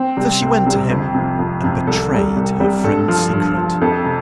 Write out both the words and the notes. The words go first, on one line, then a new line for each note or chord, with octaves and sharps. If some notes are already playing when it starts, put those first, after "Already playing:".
So she went to him, and betrayed her friend's secret.
Already playing: C4
C3 G3
C2
C3 G3
F2
C3 F3
F2
C3 F3
C2 A4
C3 G3
C2
C3 G3
G2 A4
F3
G2
F3
F2 A4
C3